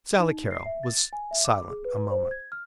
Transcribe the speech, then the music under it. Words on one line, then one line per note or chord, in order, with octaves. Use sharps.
Sally Carrol was silent a moment.
D#4
C7
E5
A6
G#5
E5
D6
G#4
B4
C5
G#6
F6